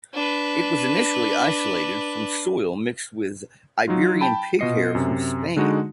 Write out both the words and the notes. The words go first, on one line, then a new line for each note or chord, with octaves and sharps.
It was initially isolated from soil mixed with Iberian pig hair from Spain.
D4 B4
F#3 D#4 F4
G5 A5 B5
B2 F4 D#5 C7 C#7
F#2 C3
D3 G#3 D#4 F#4